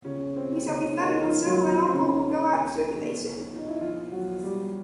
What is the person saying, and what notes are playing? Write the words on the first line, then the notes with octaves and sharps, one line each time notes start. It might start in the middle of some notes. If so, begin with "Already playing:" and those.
We shall be flooded with silver and all gold will go out of circulation.
C#3 C#4
C4
C#3 C#4
D#3 D#4
F3 F4
F#3 F#4
F3 F4
C4
C#3 C#4
D#4
E4
F3 F4
F#3 F#4
G3 G4